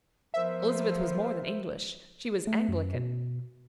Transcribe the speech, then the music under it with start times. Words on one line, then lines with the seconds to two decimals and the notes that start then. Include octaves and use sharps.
Elizabeth was more than English--she was Anglican.
0.34 F3 B3 A#4 C5 E5
2.47 A3
2.68 F#2
2.94 B2